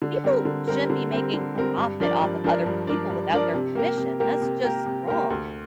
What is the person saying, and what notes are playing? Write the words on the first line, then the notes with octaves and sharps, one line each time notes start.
people shouldn't be making profit off of other people without their permission, that's just wrong.
D3
G3 C4 A#4
D3
G3 C4 A#4
D3
G3 C4 A#4
D3
G3 C4 A#4
G2
F3 D4 A#4 D5
G2
F3 D4 A#4 D5
G2
F3 D4 A#4 D5
G2
F3 D4 A#4 D5
C3
A#3 G4 A#4
C3
A#3 G4 A#4
C3
A#3 G4 A#4
C3
A#3 G4 A#4
D2